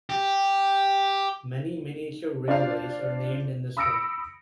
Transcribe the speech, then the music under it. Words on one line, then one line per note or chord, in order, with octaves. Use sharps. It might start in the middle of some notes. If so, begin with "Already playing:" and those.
Many miniature railways are named in this way.
G4
D4 F4 C5 D5 F5
B5 D#6 E6 A#6 C#7 D7